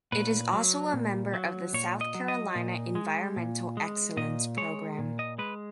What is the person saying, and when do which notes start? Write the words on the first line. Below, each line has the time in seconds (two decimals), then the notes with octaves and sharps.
It is also a member of the South Carolina Environmental Excellence Program.
0.12 A#2 B4
0.53 F#3
0.93 A#2
1.34 F#3
1.73 A#2 C#5
2.01 D#5
2.14 F#3
2.28 D#5
2.55 A#2
2.95 G#3
3.36 A#2
3.77 G#3
4.17 A#2 D#5
4.57 G#3 C#5
4.98 A#2
5.19 D#5
5.38 G#3 B4